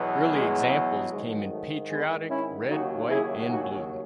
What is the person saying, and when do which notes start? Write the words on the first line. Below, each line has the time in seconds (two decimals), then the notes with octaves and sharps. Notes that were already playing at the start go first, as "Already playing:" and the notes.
Early examples came in "patriotic" red, white, and blue.
Already playing: E2 B2 F#3
0.31 G#3
1.10 G#2 D#3 F#3 G#3
1.49 F#3 A3
1.89 G#3 B3
2.28 C#4 E4
2.68 D#2 C#3 F#3 D#4 F#4
3.08 E4 G#4
3.48 D#4 F#4